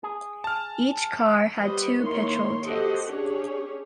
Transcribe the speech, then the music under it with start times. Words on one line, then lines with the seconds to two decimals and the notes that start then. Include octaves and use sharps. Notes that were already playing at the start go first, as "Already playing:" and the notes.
Each car had two petrol tanks.
0.03 G#4
0.44 A5 F6
1.61 G3 B3 B4 C5 D#5
1.99 D#3 A#3 D#4 E4 C#5 C6
2.64 F#4 G4 A4 C5 D#5 F#5
3.13 C#4 D4 G4 G#4 C#5